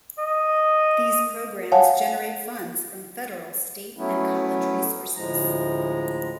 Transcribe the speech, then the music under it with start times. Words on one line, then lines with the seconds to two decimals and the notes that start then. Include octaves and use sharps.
These programs generate funds from Federal, State and College resources.
0.18 D#5
1.72 C#5 F5 F#5 G#5 A5
3.97 F#3 A3 B3 C#4 E4
5.16 D2 A2 F3 G#3 A#5